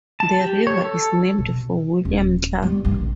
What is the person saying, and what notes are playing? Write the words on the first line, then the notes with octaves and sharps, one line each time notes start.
The river is named for William Clark.
A5
G4
C#5
A4
B2
D#1
G3 B3
A#1 D3